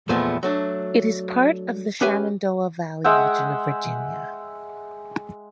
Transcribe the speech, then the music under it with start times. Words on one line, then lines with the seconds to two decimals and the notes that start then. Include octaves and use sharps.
It is part of the Shenandoah Valley region of Virginia.
0.09 E2 A#2 F3 G#3 A3 B3
0.43 F#3 A3 D4
2.01 C#4 G4 B4 E5 G5 G#5
3.04 G#3 E5 F#5 G5